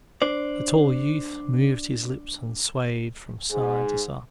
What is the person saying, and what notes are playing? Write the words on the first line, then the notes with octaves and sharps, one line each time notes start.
The tall youth moved his lips and swayed from side to side.
D4 C5 D5
G#2 G#4